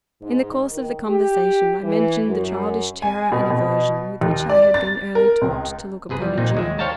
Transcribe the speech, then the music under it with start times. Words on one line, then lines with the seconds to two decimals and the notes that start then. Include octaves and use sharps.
In the course of the conversation I mentioned the childish terror and aversion with which I had been early taught to look upon a Jew.
0.21 G#2
0.71 D#3
1.07 G4
1.83 E3
2.27 F#2
3.02 G#5
3.32 B2
3.50 B2
4.21 D#2
4.50 D5
4.74 A6
5.15 A#4
5.41 C#2
6.09 G1 C3 G#4 B4
6.22 E2 G3
6.38 A#1 A#2 C4 D#4
6.54 D#2 G#3 E5
6.78 C5 C#5 F5 G5 A5 A#5